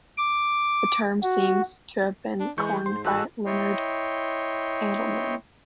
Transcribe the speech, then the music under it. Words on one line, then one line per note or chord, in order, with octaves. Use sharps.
The term seems to have been coined by Leonard Adleman.
D6
F#4
D4
E3 G#3 C#6 G6
G#2 C5 C6
A1 F#4 A4 F#6
E4 C#5 D#5 G5 C6